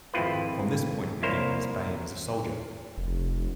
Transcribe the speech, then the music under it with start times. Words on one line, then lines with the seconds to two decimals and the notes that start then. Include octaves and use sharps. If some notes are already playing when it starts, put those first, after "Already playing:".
From this point began his fame as a soldier.
0.14 G#1 F2 C4 E4 F4 B4
1.23 C2 A#3 E4 A#4 C5 C#5
2.98 F1